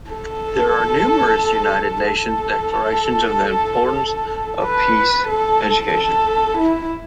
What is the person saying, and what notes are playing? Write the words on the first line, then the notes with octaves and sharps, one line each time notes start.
There are numerous United Nations declarations on the importance of peace education.
A4
A4
B4
A4
A4
E4